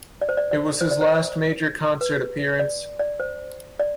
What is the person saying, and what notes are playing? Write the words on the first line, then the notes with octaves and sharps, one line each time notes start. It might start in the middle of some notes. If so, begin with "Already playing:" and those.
It was his last major concert appearance.
D5
C5
D5
D5
C5
D5
C5
B4
D5
D5
C5
D5